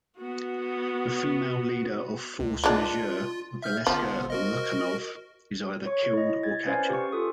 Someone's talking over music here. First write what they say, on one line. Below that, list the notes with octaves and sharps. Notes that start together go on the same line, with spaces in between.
The female leader of Force Majeure, Valeska Lukanov, is either killed or captured.
B3 F#4
C#2
G#3 D4 F4
E5 F6 G6
G1 F3 B3
F#4 A#4 D#5
C#5 C#6
E4 D#5
G#6 A6
C#4 B4 C5 D5 F5 G#5
G4 C#6
F4 A4 D#6